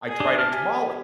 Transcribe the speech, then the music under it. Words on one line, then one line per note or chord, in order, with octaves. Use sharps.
I tried a tamale,
G#4
D4 G4
A5 F6
G4 G#5